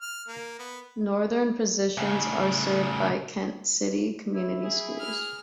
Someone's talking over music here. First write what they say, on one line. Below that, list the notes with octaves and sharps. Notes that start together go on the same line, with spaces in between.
Northern portions are served by Kent City Community Schools.
F6
A#3
B3
A2 C#3
E4
G#4
F6